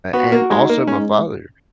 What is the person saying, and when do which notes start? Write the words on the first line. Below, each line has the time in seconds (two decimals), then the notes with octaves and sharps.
and also my father,
0.13 B3 F#4
0.32 A#3
0.50 G#3 D#4
0.69 A#3
0.87 G#3 C#4